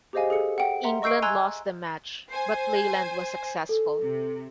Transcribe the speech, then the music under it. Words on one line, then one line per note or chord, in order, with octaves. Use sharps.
England lost the match, but Leyland was successful.
G4 G#4 C5 D#5 F5 G#5
G#4 A4 C#7
F#5 G5
E5 F#5 A#5 C6
D#5 C#6 E6 G6 C7 D7
G#5 A#5 C6 E6 F#6 G#6
C5 G#5
A4
C3